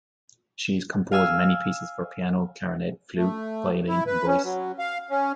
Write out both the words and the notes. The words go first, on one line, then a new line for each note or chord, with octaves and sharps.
She has composed many pieces for piano, clarinet, flute, violin and voice.
F5 G#5 E6 F6
A3
E4
B4
C#4
F#3
F5
C#4